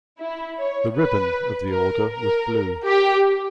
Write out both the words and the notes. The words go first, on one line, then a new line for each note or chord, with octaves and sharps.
The "ribbon" of the Order was blue.
E4
C#5
B4
A#4
A#4
G4